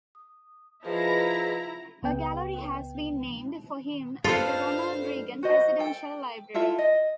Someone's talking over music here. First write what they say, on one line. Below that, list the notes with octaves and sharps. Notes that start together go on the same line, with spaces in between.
A gallery has been named for him at the Ronald Reagan Presidential Library.
D#6
F3 E4 G#4 B4 D#5 A#5
C#2 B3 G5
G2 D#3 D4 F4 A4 C5 F5
F#4 C5 D#5
A4 G5
E4 F4 A4 E5
D#5